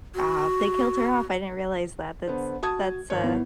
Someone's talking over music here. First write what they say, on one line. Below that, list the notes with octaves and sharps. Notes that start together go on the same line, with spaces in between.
Uh, they killed her off, I didn't realize that. That's that's a
F#4
D3 B3 C5
F#4 A5 D#6 G#6
G#1 C#5
B3 E4